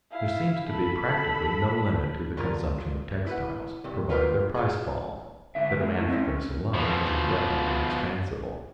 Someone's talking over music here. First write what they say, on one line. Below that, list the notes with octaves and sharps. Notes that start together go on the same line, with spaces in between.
There seems to be practically no limit to the consumption of textiles, provided their price falls; the demand for dress alone is indefinitely expansible.
E4 F5
A4 B5
G2 D3 F4 A#4
E4 B4 F#5
G2 C3
G#2 F4 A#4 B4 F5 G5
F4 F#4 G#4
G#2 D3 E5
G#3 A#3 C#4
A3 E4
G#3 A3 C4 D#4 D#5
C#4
B2 F3